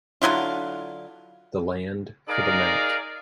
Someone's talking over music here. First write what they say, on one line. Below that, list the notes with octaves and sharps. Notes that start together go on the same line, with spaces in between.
The land for the Mt.
D3 F#3 E4 F4
D#4 G#4 A#4 D5 F5